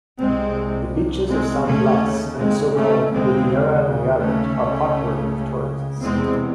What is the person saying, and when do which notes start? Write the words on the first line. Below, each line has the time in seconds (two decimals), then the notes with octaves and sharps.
The beaches of San Blas and the so-called "Riviera Nayarit" are popular with tourists.
0.19 C2 C3 G#3 C4
1.29 G#3 C4
1.65 D#2 C#3 A3 C#4
2.37 G#3 C4
2.74 A3 C#4
3.11 D#2 C#3 G#3 C4
4.20 A3 C#4
4.57 C#2 C#3
6.01 E2 C3 G#3 C4